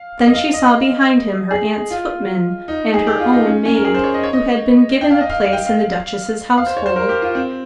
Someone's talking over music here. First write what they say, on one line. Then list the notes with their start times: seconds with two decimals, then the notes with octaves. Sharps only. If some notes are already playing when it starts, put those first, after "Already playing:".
Then she saw behind him her aunt's footman, and her own maid, who had been given a place in the duchess's household.
Already playing: F5
0.27 D#5
0.34 F5
0.53 D#5
1.51 G#4
1.90 F4
2.68 D#4
2.94 G#4
3.07 G4
3.20 F4
3.33 D#4
3.46 C#4
3.65 C#4
3.76 A#4
3.85 G#4
3.94 C5
4.04 C#5
4.14 D#5
4.23 C#5
4.33 D#5
5.01 G5
5.11 F5
5.20 D#5
5.30 F5
5.45 F5
5.53 G5
5.66 F5
6.58 F5
6.67 C5
6.77 C#5
6.86 C5
6.96 A#4
7.09 G4
7.22 F4
7.35 C4